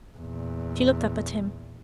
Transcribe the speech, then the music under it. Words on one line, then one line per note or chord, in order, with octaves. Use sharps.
She looked up at him.
E2 A#2